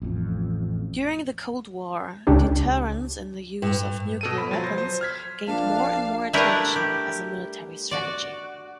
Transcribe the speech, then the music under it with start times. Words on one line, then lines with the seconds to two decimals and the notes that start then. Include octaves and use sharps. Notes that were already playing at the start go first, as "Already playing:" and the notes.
During the Cold War, deterrence in the use of nuclear weapons gained more and more attention as a military strategy.
0.02 A1 F2
2.27 C#2 C#3 C#4 D4 G4
3.62 G2
4.21 B2 A4 D#7
4.38 B5
4.51 F3 F#3
4.64 C5
4.78 C5
5.01 F6 G#6 B6
5.47 A#1 D4 F5 A5
6.33 G3 A3 D4 E4 A#4 B4
6.76 G4
7.91 F#4 D5